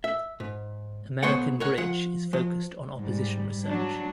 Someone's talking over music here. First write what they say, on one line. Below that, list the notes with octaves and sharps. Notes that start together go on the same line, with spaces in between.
American Bridge is focused on opposition research.
E5
G#2
B1 B3 C5 C#5 F#5
A#4 C#5 F#5
F3 F#5
F3
G#2 G3
F#3 D4